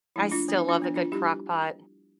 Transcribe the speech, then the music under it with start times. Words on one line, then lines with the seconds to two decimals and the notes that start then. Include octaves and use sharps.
I still love a good crock pot.
0.16 F3 A3 D4 E4
0.31 D4 F4
0.48 F3 B3 D4
0.59 E4
0.69 D4 F4
0.80 F3 B3 D4
0.96 D4 F4
1.12 G3 D4 E4 G4